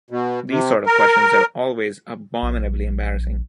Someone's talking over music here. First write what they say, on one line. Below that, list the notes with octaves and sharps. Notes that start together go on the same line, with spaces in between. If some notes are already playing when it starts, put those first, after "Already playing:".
These sort of questions are always abominably embarrassing.
B2
C3
A#4
A#1